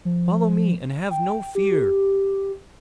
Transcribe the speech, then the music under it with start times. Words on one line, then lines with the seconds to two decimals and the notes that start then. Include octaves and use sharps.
"Follow me and have no fear."
0.05 F3
1.10 G5
1.55 G4